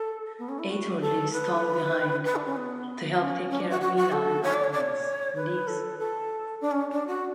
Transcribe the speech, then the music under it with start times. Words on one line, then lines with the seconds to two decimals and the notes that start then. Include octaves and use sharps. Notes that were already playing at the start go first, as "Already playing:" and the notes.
Ator leaves Thong behind to help take care of Mila and Akronas, and leaves.
Already playing: A4
0.39 B3
0.49 C#4
0.59 E4
0.70 F#4
1.01 A4
1.32 B4
2.25 B4
2.36 D4
2.46 C#4
2.57 B3
3.19 C#4
3.50 C#4
3.60 D4
3.70 F#4
3.81 F#4
3.97 F#4
4.12 A4
4.43 C#5
4.54 D5
4.64 C#5
4.73 D5
4.81 C#5
5.36 B4
5.68 A4
5.99 A4
6.61 D4
6.71 C#4
6.92 D4
7.07 F#4